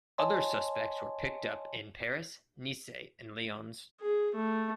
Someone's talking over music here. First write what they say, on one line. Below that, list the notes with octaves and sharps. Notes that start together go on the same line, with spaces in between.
Other suspects were picked up in Paris, Nice and Lyons.
C#5 D#5 G#5 A5 C6
G#4
A3